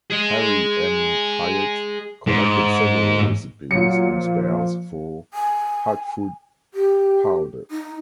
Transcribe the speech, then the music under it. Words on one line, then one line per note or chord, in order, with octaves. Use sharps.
Harry M. Hyatt collected several recipes and spells for hot foot powder.
G#4 D#5
G#2
A#2 F#3 C#7
F3
G#5
G4
D#4